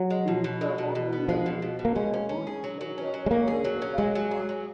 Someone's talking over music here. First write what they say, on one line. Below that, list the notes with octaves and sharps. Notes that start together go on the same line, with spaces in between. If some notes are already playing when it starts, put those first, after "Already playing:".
These were only levied if the goods later entered the Dutch market.
Already playing: F#3
G#3
B2
B2
G#3
B2
B2
B3
F3 G#3
B2
B2
B2
A#3
G#3 C#4
C#4
C#4
G#4
F#3
F#3
C#4
F#3
G#3
A#3 C#4
G#4
F#3
C#4
F#3 G#3
F#3
G#4
F#3